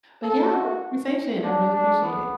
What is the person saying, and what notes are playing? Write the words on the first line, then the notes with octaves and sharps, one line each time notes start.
But, yeah, gr conversation. I really appreciate it.
A4
F#4
D4
D4
B3